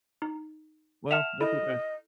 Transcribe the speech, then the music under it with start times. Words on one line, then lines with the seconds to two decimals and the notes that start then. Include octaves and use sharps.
Well, that's okay.
0.22 D#4
1.11 E5 F#5 A5 F6 E7 F7
1.40 E4 A4 D#5